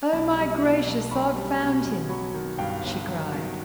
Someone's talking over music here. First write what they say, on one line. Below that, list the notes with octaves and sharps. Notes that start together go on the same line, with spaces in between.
"Oh, my gracious, I've found him!" she cried.
B1 A5 B5
G3
B2
B1
B1 B5 C#6
G3
B2
B1
F#3 B5 C#6
D#3
G2 F5 G5
G1
F#3
D#3